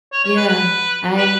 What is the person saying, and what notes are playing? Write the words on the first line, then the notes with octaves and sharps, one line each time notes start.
Yeah, I
C#5
C#5
B4
B4
B4